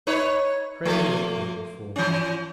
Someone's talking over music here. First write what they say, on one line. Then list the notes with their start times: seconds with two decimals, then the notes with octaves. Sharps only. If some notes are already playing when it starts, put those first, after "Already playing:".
Pray, don't wait for me.
0.07 D#4 B4 C#5
0.85 F3 A3 A#3
1.96 E3 C#4